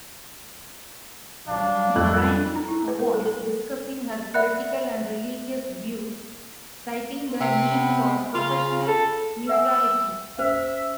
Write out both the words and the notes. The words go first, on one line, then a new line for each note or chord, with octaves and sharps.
Gorani avoids discussing her political and religious views, citing the need for professional neutrality.
F#3 G3 D4 F5
F2 A4 F#6
A#5
E4
B4
A#4
A4
A4
D5 E5 F#5 B5 F#6 C#7
C4
C3
B3
C#3 F4
A4
E5 F#5 G#5 E6
C#4 C5 E5